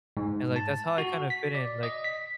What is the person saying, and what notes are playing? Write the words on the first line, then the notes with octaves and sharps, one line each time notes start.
and, like, that's how I kind of fit in, like,
G#2
A5
F#4
B6
D5
D#5
B6